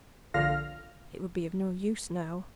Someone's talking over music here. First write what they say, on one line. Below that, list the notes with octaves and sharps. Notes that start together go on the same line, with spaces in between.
It would be of no use now.
A#1 D3 F4 F5 F6 A#6